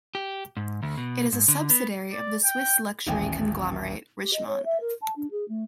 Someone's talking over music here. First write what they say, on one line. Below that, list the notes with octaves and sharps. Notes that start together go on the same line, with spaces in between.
It is a subsidiary of the Swiss luxury conglomerate Richemont.
G4
G#2
D2
B2
G#2
D3
B3
D5
G5
D#1 A1 G5 G#5
G4
D#5
C#5
E5
A#4
A5
D4
G#4
A3